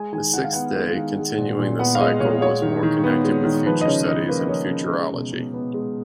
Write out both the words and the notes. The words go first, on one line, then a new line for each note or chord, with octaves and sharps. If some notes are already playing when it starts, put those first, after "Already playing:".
The sixth day, continuing the cycle, was more connected with future studies and futurology.
Already playing: G#3 G#5
D#3 G#5
D#3 F#5
F5
B3 F#5
G#3
D#3
G#3
A#2
A#2
B3 F#5
F5
G#3 D#5
A#2 C#5
G#3 C#5
D#3
D#3
B3
G#3
D#3
F3 B4
D#5
C#3 C#5
C#3 D#5
A#3 B4
F3 C#5
C#3
G#3
B2
B2
B3
G#3